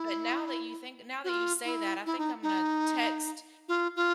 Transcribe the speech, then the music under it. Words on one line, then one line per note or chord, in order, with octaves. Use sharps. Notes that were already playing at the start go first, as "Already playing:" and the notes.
But now that you think now that you say that, I think I'm gonna text
Already playing: E4
F#4
F4
E4
E4
D#4
D#4
F4
F4